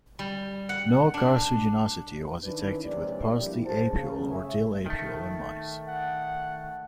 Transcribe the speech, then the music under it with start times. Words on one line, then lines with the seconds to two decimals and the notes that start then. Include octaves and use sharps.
No carcinogenicity was detected with parsley apiol or dill apiol in mice.
0.19 G3
0.69 F#5
1.14 D4
2.43 D#3 C#4 D4 E4 B4
2.84 A#1 C3 G#3 C#5 D5
3.33 F2 G3 A#3 D4 E4 G4
3.64 F#1 F#2 F#3 G#4 C5 A5
3.93 C#3
4.30 A3 G#4 C#5 E5
4.86 D#3 A3
5.88 F#5